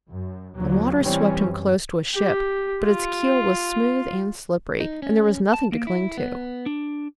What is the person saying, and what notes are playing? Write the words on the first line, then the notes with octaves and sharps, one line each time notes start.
The water swept him close to a ship, but its keel was smooth and slippery and there was nothing to cling to.
F#2
D#2 D3 F3 F#3
A1 E3 G3 C4 C#4
F#2
G4
F4
D#4
C#4
A5
A#3
E4
B3
D4